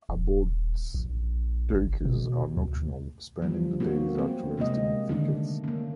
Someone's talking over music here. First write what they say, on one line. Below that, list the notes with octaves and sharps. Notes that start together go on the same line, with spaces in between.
Abbott's duikers are nocturnal, spending the days at rest in thickets.
D#1
A#1
F#1
B2
D2
F3 G3
A#3 B3 C#4 F#4
A#3 C4
C3 G#3 A#3 D#5
D3 D#3 A3 A#3 D4
A#3 C#4